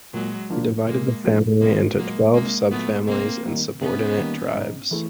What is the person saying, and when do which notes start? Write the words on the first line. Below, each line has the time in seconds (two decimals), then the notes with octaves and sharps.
He divided the family into twelve subfamilies and subordinate tribes.
0.14 A#2 F#3 G#3
0.50 F3 A#3 D4 F4
0.87 A#2 G#3 A#3
1.24 F3 A#3 D4 F4
1.60 C2 G#3 A#3
1.97 A#2 F#3 G#3 A#3
2.34 C2 G#3 A#3
2.70 A#2 F#3 A3 B3
3.07 C3 A#3 C4
3.44 D#3 G3 A#3
3.81 C3 B3 C#4
4.18 D#3 G3 A#3
4.54 G#2
4.91 E3 A3